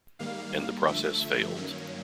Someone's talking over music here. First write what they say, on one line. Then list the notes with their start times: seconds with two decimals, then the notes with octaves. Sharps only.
And the process failed.
0.19 G#2 D#3 G3 A#3 F5
0.87 G2 D3 F3 A3 E5
1.55 G2 D#3 F#3 A#3 C#4